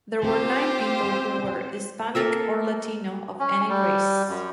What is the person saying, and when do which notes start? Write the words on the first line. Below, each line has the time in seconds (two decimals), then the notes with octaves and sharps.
There were nine people who were Hispanic or Latino of any race.
0.22 C4 F4 G4 C5
2.15 A#3 A4 A#4 E5
3.39 C#4
3.69 G3
4.28 F#2